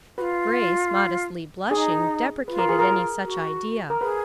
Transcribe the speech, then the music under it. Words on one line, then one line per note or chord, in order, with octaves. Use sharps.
Grace, modestly blushing, deprecated any such idea.
F4 F#4 B4
D#4 G#4
F4 B4
A#4
G#4
A#4
F#4
A#4
G#4 B4